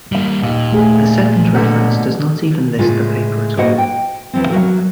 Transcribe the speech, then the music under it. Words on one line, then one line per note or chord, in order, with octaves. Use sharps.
The second reference does not even list the paper at all.
G3 A#3
D#2 A#2
A3 G#4
B2 D3 F#3
A2 C#3 G#3 F4
A2 A#3 F#4 C5 D#5 F#5
G5
E2 F3 C4
F#3 F#4 A#4